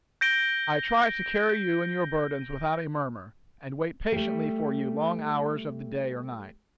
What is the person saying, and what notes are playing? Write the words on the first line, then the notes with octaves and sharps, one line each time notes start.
I try to carry you and your burdens without a murmur, and wait patiently for you long hours of the day or night.
G6 A#6 D7 G7
G3 A3